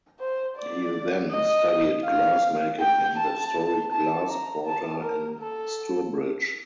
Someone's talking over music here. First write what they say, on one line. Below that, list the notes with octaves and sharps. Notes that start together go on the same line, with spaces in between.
He then studied glassmaking in the Historic Glass Quarter in Stourbridge.
C5
D5
D#5
F5
G5
A5
A5
A#5
A5
A#4
A4